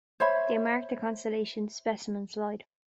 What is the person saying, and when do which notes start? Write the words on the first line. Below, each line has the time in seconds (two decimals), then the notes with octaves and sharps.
They mark the constellation's specimen slide.
0.20 C5 C#5 E5 B5